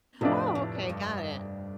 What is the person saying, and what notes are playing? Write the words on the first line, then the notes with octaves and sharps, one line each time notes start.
Oh, okay, got it.
F1 F2 A2 F3 A3 D4
A2
G2